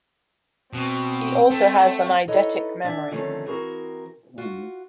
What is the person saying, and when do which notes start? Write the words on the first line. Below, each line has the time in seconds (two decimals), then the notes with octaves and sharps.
He also has a eidetic memory.
0.74 B2 C4
1.51 A3
2.28 D#4 E4 A4 B4 C#5 D#5
2.84 D4 D5 E5 G#5
3.11 D3 D#3 F3 A3 C4 C#4
3.46 E3 C4 F#4 G#4 A#4
4.38 F4 F#4